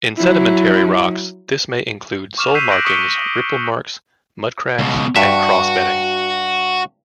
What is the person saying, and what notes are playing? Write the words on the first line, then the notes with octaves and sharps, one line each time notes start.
In sedimentary rocks this may include sole markings, ripple marks, mudcracks and cross-bedding.
F#3 E4
C#6 D6 F6 E7 F7
E6 F#6 G6 B6 C7 D#7
F#6 G6 A#6 B6 D7 F#7
C#6 D#6 B6 C#7 D7 G7
B6
C#2 B2
G2 F#4 E5